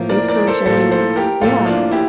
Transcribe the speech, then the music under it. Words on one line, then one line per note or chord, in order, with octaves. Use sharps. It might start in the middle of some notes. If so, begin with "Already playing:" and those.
thanks for sharing Yeah,
Already playing: A2 F3 A#3
A#4 D5
A#4 D5
A4 C5
A2 F3 A#3 A4 C5
A4 C5
G4 A#4
A2 F3 A#3 F4 A4
D4 F4
E4 G4